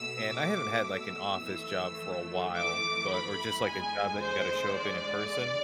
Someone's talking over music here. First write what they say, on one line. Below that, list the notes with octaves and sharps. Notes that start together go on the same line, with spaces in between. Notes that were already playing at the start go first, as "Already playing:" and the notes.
and I haven't had, like, an office job for a while, but or just, like, a job that you gotta show up in in person
Already playing: B2 A3 E6
D6
E6
F2 E3 A3
D6
B5
E2 D3 G#3 G#5
C5
D5